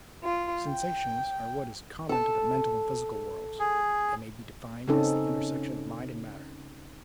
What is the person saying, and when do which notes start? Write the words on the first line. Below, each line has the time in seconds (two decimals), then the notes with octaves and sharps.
Sensations are what is common to the mental and physical worlds; they may be defined as the intersection of mind and matter.
0.24 F4
0.66 G5
2.09 A4 A5
3.60 G#4
4.88 C#3 C4 C#4 D#4 A4